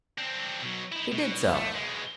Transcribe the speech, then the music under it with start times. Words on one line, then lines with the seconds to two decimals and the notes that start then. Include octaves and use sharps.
He did so.
0.18 C4 D4
0.62 B2 F#3
0.92 D#4 E4
1.12 B2
1.55 A3
1.75 B2 G#3